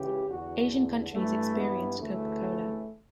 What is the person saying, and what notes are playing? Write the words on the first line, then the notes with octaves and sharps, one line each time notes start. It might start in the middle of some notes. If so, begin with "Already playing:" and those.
Asian countries experienced Coca-Cola.
Already playing: C#2 C#3 E3 G4
E2 D3 F#4
G2 E3 A3
B3
D2 C#3 E3 A3